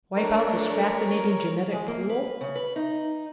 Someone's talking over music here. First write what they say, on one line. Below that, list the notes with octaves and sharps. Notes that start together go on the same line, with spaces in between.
Wipe out this fascinating genetic pool?
A3 D4 A#4 C#5
G#3
A#3
B4
C#3
B4
D#4